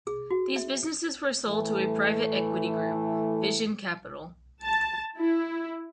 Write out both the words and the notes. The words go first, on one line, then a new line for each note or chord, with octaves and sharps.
These businesses were sold to a private equity group, Vision Capital.
G#4
F#4
E5
A2 E3 A3
A5
E4